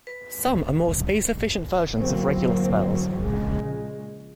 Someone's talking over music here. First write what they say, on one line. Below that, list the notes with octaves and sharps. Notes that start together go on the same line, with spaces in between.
Some are more space-efficient versions of regular spells.
B4
G1 D2 E3 F#3 A#3 C4
A#1 C#3 G#3